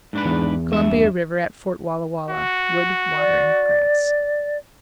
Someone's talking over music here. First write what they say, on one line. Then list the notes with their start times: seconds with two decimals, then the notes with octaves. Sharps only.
Columbia River at Fort Wallah Wallah.--Wood, water, and grass.
0.13 G#2 D4 B4
0.25 E2
0.72 G2 E5
2.29 F#4
3.17 D5